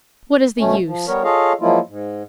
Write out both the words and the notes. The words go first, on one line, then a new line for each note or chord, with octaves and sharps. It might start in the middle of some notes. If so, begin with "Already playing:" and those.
What is the use?
D2 B2 A3 C#4
F3
G3 B3 A#4 C#5
F4 G#4 A4 C#5 D#5 F5
F3 F#3 G#3 A#3 E4 F4
G#2